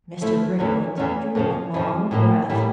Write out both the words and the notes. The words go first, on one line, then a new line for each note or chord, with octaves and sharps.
Mr. Briggerland drew a long breath.
F3 A3 E4
E2 E3 A3 C#4
E2 E3 A3 C#4
F2 C#3 F3
F2 C#3 F3
A2 E3 G3 A#3 E4
A2 E3 G3 A#3 E4